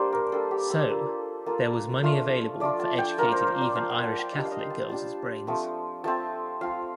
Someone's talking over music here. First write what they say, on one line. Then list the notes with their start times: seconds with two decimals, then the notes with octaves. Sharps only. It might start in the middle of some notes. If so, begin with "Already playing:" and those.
So, there was money available for educating even Irish Catholic girls' brains.
Already playing: G3 A#3 D4 C5 D5
0.13 A#4
0.32 G3 A#3 D4 A4
0.51 G4
0.70 A4
0.89 A#3 F4
1.46 A#3 F4 A4
2.03 F3 A3 D4 F4
2.60 F3 A3 D4 F4 D5
2.80 A5
2.98 G5
3.18 F3 A#3 F4 A#4
3.32 C5
3.47 C5
3.61 D5
3.75 F3 A#3 F4 F5
3.90 G5
4.04 A5
4.18 G5
4.32 G3 D4 F4 D#5
4.45 F5
4.52 D#5
4.70 A5
4.89 G3 D4 F4 A5
5.47 F3 A3 C4
6.04 F3 A3 C4 A5
6.61 F3 C4 F4 F5